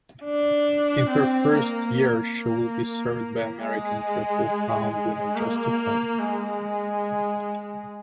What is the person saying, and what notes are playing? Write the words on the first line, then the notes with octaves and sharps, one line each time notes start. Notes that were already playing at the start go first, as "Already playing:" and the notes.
In her first year she will be served by American Triple Crown winner Justify.
D4
C4
A#3
A#3
G#3
A#3
G#3